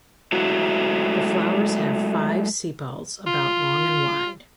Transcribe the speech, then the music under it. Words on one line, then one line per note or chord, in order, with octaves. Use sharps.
The flowers have five sepals about long and wide.
F#3 G#3 A3 E4 F#4
F4